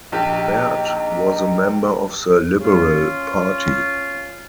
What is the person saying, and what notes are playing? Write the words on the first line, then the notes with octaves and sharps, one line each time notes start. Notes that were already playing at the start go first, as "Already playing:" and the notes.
Baird was a member of the Liberal Party.
A#1 D#4 G4
C#4 F4